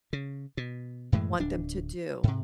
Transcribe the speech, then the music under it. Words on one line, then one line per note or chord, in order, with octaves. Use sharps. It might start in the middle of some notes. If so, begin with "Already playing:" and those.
want them to do,
C#3
B2
F#2 A2 E3 G#3
D1 D4
G#2 C3